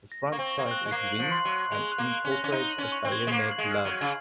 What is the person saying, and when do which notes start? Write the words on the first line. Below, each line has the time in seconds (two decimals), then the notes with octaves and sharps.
The front sight is winged and incorporates a bayonet lug.
0.12 A#6
0.32 A#3 C#6
0.38 C4
0.52 C#6
0.58 A#3
0.65 C4
0.71 F#6
0.86 G#3
0.91 A#3 C7
1.12 F#7
1.19 F3
1.31 C6
1.45 F#3
1.52 F#6
1.72 G#3 F7
1.92 F#6
1.98 A#3
2.12 F#6
2.25 C#4
2.32 A#6
2.44 C#4
2.52 D#4 D#7
2.71 F#7
2.78 C#4
2.92 C#6
3.05 C4
3.12 G#6
3.27 G#3
3.31 A#3 C7
3.51 F#7
3.58 G#3
3.71 F6
3.85 F#3
3.92 G#6
4.01 C#3